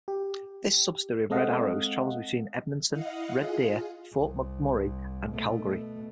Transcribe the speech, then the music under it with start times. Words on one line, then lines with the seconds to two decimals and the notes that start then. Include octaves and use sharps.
This subsidiary of Red Arrow travels between Edmonton, Red Deer, Fort McMurray and Calgary.
0.08 G4
1.30 G#3 C4 A4 D#5 F5 F#5
2.91 E4 D#5 F5 F#5
3.33 F4 G#4
4.15 C2
5.31 B2 A3